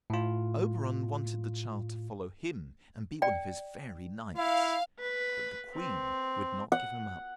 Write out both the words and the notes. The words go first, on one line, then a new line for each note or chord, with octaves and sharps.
Oberon wanted the child to follow him and be one of his fairy knights; but the Queen would not give him up.
A2 F4
D5 G5
E4 F5
B4
C4
F#5